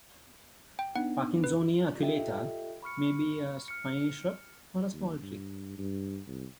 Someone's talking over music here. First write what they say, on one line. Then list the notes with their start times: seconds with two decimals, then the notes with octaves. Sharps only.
"Parkinsonia aculeata" may be a spiny shrub or a small tree.
0.79 G5
0.96 B3 D4 D#4 F#5
1.44 B4
1.99 F4 G4 A4 D#5 E5 G5
2.83 B5 C#6 F6 C#7
3.68 F6 C#7
4.93 D#2
5.22 G2
5.78 G2
6.27 C2